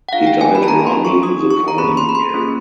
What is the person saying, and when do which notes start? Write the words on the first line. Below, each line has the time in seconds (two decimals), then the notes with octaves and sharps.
He died in London the following year.
0.09 F#5
0.13 D4 F4 G#4 F5
0.27 G5
0.41 G#5
0.55 B5
0.63 A5
0.68 D4 F4 G#4 A#5
0.87 C6
1.05 C#6
1.23 D4 F4 G#4 D#6
1.50 C#6
1.68 A#5
1.78 A#3 C#4 F4 G#4 B5
1.97 C6
2.09 B5
2.15 C6
2.34 A#3 C#4 F4 G#4